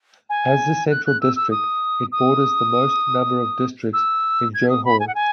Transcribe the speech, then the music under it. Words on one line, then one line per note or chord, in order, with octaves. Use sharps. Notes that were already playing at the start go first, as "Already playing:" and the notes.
As the central district, it borders the most number of districts in Johor.
G#5
F#6
F#6
E6
E6
D#6
D#6
E6
G#6
D#6
B5
G#5
F#5
G#5